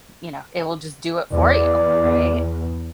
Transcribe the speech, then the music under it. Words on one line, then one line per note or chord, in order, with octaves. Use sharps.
you know, it will just do it for you, right?
E2 D5